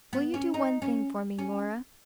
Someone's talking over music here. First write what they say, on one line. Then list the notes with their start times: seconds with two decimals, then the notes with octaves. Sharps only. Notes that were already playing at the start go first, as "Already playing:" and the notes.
'Will you do one thing for me, Laura?
0.13 B3
0.34 C#4
0.54 D#4
0.82 C#4
1.39 C#4